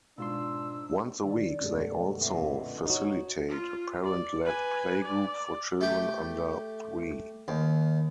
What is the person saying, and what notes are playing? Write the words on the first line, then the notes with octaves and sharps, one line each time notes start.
Once a week they also facilitate a parent-led playgroup for children under three.
G#2 B2 D4 F4 C6 E6
D3 D#3 D5
F#2 B2 D3 G#3 A3
A#2 C4 E5
D#4 F#4 C#5
F4
D5
B4 G#5
D5
A3 G4
D#2